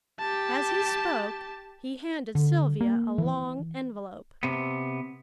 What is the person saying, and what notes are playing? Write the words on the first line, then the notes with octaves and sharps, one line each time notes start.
As he spoke he handed Sylvia a long envelope.
G4 A5
D3
A#3
E3
C3 B3